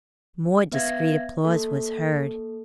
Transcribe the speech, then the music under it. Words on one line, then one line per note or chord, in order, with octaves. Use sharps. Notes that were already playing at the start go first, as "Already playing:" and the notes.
More discreet applause was heard.
B3 B4 E5 F5 G#6 A#6
A#3 A4